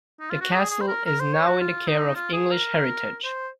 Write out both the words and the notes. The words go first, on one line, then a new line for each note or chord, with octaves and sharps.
The castle is now in the care of English Heritage.
D#4
F4
F#4
G#4
G#4
C5
A#4
A#4
C5
C#5
F#4
F4
D#4
F4
G#4
A#4
C5